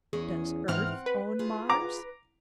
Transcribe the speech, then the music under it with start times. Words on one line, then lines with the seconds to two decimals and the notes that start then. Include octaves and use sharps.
"Does Earth own Mars?"
0.13 E2 C#4 G#4
0.68 G#2 E3 C4 F#5 F6
1.06 B4
1.39 F4 G#4
1.69 A#5 D6